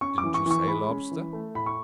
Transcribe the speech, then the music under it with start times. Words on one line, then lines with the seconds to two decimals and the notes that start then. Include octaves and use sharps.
"Didn't you say lobster?"
0.01 C#4 C#6
0.18 D6
0.24 E3
0.34 C#6
0.46 E3 C#6
0.67 G#3 B5
0.89 C#4
1.11 E3
1.33 A3
1.55 A2 B5
1.66 C#6